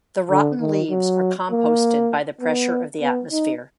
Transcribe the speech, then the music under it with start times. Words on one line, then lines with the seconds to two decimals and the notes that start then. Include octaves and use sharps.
The rotten leaves are composted by the pressure of the atmosphere.
0.30 D3
0.60 D#3
0.90 F#3
1.51 A#3
2.41 B3
3.01 B3
3.31 D#4